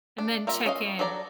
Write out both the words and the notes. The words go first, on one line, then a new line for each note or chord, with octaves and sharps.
And then check-in.
D4
G3 A#3 F4 A#4 E5
C#4 D#5 F5
F#3 A4 D5 A#5